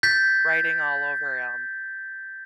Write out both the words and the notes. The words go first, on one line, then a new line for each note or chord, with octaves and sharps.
writing all over 'em.
G6 A6 B6